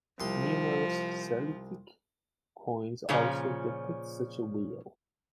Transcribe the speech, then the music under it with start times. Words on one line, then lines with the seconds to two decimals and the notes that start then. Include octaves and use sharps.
Numerous Celtic coins also depict such a wheel.
0.20 C2 F3 C6
3.09 A#2 C#3 F3 C#4 A#5